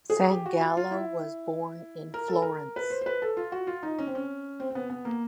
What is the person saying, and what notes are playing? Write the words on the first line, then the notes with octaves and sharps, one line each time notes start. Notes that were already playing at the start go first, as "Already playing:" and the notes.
Sangallo was born in Florence.
G#4
G4
F#4
F4
F4
E4
A#4
A4
A#4
B4
C5
C5
B4
A4
F4
F#4
F4
D#4
C#4
C4
C#4
C4
C4
B3
B3
A#3